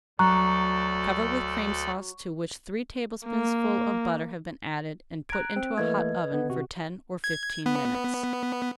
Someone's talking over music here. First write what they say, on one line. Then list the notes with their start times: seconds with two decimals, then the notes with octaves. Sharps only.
Cover with Cream Sauce to which three tablespoonfuls of butter have been added, and put into a hot oven for ten or fifteen minutes.
0.19 D2 F#3 A4 D5 A#5 C#6 F#6
3.26 A#3
5.30 A#5 F#6 G#6 D7
5.56 C4
5.78 E3 A3 A#3 B4 D#5 G#6
6.32 D3 B3
6.50 C3 F#4
7.24 G#6
7.66 B3